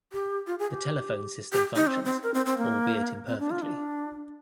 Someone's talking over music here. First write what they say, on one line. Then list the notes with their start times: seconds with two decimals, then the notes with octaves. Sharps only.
The telephone system functions, albeit imperfectly.
0.13 G4
0.47 F4
0.59 G#4
0.71 G4
1.52 G4
1.76 D#4
1.87 C4
2.05 C4
2.23 A#4
2.34 C4
2.46 C4
2.58 A#3
3.27 C4
3.39 D4
3.51 F4
3.62 D4